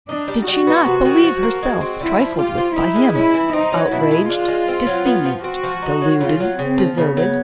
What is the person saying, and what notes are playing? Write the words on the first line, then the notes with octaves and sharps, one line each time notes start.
Did she not believe herself trifled with by him, outraged, deceived, deluded, deserted?
D4 D#4
G3
G3 F#4
B3
C3
D#3
F3
A#3
G#3
C4
D3 E4
F3
F4 G4
C4
D#4 E4
G#3
C#4 E4
E3
C4 D#4
F#3
B2 E4
G#3
D4 F4
G#3
C4
F#3
B3
F3
C4 F#4
F3
D#4
F#3
C#3 F4
F#3
C#3 C4
F3
C#3 B3
F#3